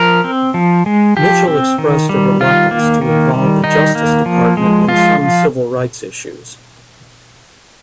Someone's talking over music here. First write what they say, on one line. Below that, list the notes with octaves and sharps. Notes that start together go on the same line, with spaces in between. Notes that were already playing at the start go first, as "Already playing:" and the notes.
Mitchell expressed a reluctance to involve the Justice Department in some civil rights issues.
Already playing: F3 A#4
C4
F3
G#3
F3 G4
C4
D#3
G3
D#3 F4
A#3
D#3
G3
D#3 D#4
A#3
F3
G#3
F3 F4